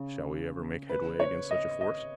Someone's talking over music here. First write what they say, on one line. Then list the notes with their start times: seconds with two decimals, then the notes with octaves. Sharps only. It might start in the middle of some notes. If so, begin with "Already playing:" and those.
Shall we ever make headway against such a force?
Already playing: C#3
0.90 B4
1.20 C#5
1.51 D#5
1.81 D#5